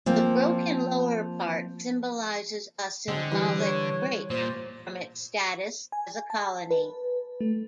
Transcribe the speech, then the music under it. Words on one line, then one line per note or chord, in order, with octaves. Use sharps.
The broken lower part symbolises a symbolic break from its status as a colony.
F3 A#3 C4
D3 G#3 C4
E3 G3
C#5
A#2 C5
G#5
A5
B4
A3